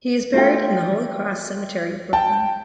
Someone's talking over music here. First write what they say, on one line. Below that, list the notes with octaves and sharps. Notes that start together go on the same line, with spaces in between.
He is buried in the Holy Cross Cemetery, Brooklyn.
A3 F4 G5
G5 A5